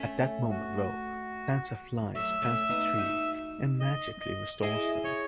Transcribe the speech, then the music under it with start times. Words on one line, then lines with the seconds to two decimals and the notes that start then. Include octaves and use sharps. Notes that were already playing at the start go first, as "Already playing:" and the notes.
At that moment though, Santa flies past the tree and magically restores them.
Already playing: A3 C#4
0.50 F#4
2.15 F#3 A3 E5
2.42 A3 C#4
2.69 B3 D#4
2.98 D#4 F#4
3.80 D#5
4.21 D#5
4.62 E4 G#4 D#5
5.04 C#5